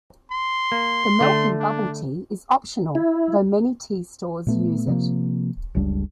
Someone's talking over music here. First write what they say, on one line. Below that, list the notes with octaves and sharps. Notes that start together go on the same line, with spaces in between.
The milk in bubble tea is optional, though many tea stores use it.
C6
A#3
D3 A3
D4
E4
A#2 A3 B3
C3 F3 A#3
F#1 C#2 G3 D4